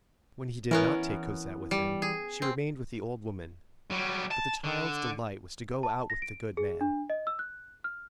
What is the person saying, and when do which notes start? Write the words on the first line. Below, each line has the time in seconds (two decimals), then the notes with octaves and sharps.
When he did not take Cosette with him, she remained with the old woman; but the child's delight was to go out with the good man.
0.71 E3 B3 C#4 A#4
1.71 G3
2.02 G#4
2.42 C4
3.91 F#3 G3
4.31 A5
4.64 D3
5.83 A5
6.10 A#6
6.22 D7
6.57 G#4
6.81 D4
7.10 D#5
7.27 E6
7.39 F#6
7.84 F6